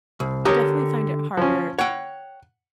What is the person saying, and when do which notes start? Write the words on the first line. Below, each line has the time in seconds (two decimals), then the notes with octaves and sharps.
I definitely find it harder
0.20 C2
0.45 D3 G4 A#4 C#5 A#5 D#6
1.37 F3 C#4
1.79 C#5 F#5 G5